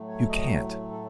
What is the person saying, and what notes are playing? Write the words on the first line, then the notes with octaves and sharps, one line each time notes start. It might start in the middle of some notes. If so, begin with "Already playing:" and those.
You can't.
Already playing: A2 F#3 A3
C#5
D#5
A4